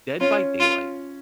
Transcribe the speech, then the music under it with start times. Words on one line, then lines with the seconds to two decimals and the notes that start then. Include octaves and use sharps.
Dead by Daylight.
0.20 C#4 F4
0.60 F4